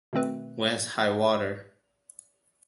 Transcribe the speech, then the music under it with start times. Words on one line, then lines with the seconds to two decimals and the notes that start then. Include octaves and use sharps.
When's high water?
0.13 B2 D#3 A3 C4 B4